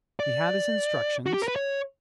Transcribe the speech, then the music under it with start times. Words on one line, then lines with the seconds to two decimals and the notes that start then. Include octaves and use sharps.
He had his instructions.
0.20 D5
1.26 F#4
1.34 G4
1.42 A#4
1.48 B4
1.56 C#5